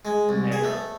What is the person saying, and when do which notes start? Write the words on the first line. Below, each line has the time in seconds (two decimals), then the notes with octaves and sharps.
And you're like
0.05 G#3
0.29 C2
0.52 G#4
0.63 A3